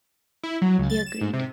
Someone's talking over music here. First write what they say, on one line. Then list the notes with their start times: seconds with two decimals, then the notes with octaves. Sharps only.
He agreed.
0.43 E4
0.62 F#3
0.78 C#2
0.90 A6
1.06 E7
1.21 G#2
1.33 C3